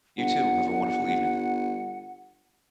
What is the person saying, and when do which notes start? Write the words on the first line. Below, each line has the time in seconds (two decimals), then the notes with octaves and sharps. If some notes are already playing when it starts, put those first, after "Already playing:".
You too. Have a wonderful evening.
0.18 G1 F#5